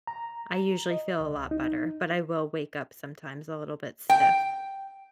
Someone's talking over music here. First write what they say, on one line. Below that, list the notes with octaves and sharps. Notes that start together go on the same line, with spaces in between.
I usually feel a lot better, but I will wake up sometimes a little bit stiff.
A#5
D#5
C#2
D#4
G5